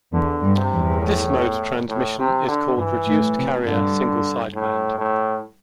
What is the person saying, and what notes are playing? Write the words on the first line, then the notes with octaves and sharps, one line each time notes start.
This mode of transmission is called reduced-carrier single-sideband.
E2 D3
G2
C3
E2
A2
A2
C3
D3
G2 E3
A2
C3
G2 D3
A2
A2